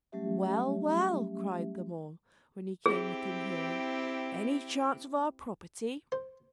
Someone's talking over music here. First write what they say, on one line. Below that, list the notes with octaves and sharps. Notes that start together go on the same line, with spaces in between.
"Well, well," cried them all, when he came within hearing, "any chance of our property?"
F#3 G3 A3 C#4 G4 E5
C4 E4 G4 G#4
C5